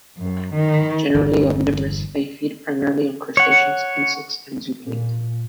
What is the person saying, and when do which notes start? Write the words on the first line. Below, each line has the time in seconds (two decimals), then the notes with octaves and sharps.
Generally omnivorous, they feed primarily on crustaceans, insects, and zooplankton.
0.18 F#2
0.54 D#3
1.14 G1 E2
3.37 C#5 F#5
4.86 A#2